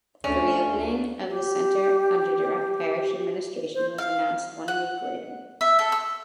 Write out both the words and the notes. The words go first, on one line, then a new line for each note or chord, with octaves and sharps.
The reopening of the Center under direct parish administration was announced one week later.
D2 A3 C#4 D4
G4
C5
F5
F#5
E5
A4
E6